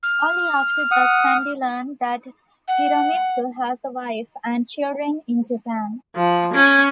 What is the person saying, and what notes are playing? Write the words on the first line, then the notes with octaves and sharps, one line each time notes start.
Only after does Sandy learn that Hiromitsu has a wife and children in Japan.
F6
F#5 D#6
F#5
F3
C#4